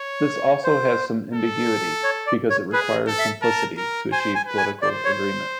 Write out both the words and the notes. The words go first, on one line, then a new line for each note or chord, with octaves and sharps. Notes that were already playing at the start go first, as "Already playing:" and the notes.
This also has some ambiguity, because it requires simplicity to achieve political agreement.
Already playing: C#5
C5
A4
C#5
D5
C#5
G#4 B4
A4
E5
A#4 A5
A#4
C5 G#5
G#5
B4
G#5
C5 D5
C#5